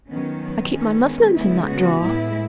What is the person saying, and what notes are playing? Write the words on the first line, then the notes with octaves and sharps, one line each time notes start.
I keep my muslins in that drawer.'
D#3 F#3 B3 C#4
B3
D#3 G#3 B3 C#4
C#3 G#3 B3 E4
F#4
A2 G#3 B3 E4